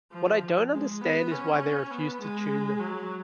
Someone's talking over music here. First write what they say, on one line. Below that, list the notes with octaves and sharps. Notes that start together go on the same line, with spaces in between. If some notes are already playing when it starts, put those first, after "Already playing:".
What I don't understand is why they refuse to tune them.
F3
G#3
B3
C#4
B3
G#3
F#3